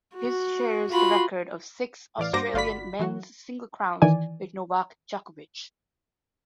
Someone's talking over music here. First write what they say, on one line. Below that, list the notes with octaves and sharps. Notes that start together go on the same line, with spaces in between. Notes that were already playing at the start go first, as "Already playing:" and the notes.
His shares the record of six Australian men's singles crowns with Novak Djokovic.
F#4
F4 F#4 B5 C6
A2 E3 D5 F5
G2 A#3 F#4 C5 D6 A#6
G1 F4 F#4 D5 B5 B6
E3 F#3 F#4
D#3 E3 D5 G#5